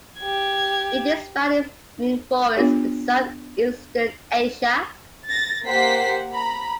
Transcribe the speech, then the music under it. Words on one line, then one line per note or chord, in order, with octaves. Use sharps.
It is found in forests in south-eastern Asia.
G4 G#6
B3 D4 F4 G4 C#5
A6 A#6
A#3 G4 C5 F#5 B6 C7
A#5 B5